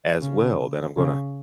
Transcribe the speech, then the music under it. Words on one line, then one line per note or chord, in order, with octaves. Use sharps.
as well that I’m gonna
C#3
C#3